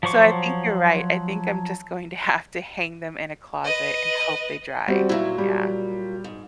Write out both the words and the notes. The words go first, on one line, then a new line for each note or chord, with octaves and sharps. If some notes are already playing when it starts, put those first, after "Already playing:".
So, I think you're right, I think I'm just going to have to hang them in a closet and hope they dry yeah.
F3 F#3 C5 C#6 D6
B4 D#5
G3 C4 F#4
A#2 F#3 E4
G3
G#2